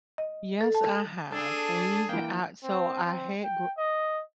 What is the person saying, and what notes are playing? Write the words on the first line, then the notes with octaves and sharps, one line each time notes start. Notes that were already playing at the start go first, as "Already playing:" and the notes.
Yes, I have. We uh, so I had g
D#5
A4
A5
D4 G#4 A4 D#7
E3 A#3 G5
C4
C4
G5
D#5